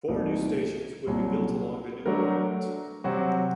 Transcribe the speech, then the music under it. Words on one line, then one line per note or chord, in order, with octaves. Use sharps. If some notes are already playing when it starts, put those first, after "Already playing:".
Four new stations would be built along the new alignment.
C2 A#2 A3 D#4
C2 A#2 F#3
F#3 A3 D4 F#4 A#4
C3 F#3 C4 F#4